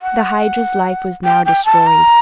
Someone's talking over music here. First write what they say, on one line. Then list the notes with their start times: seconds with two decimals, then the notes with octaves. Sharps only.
The Hydra's life was now destroyed.
0.02 F#5
1.24 G5
1.46 G5
1.65 A5
1.87 A#5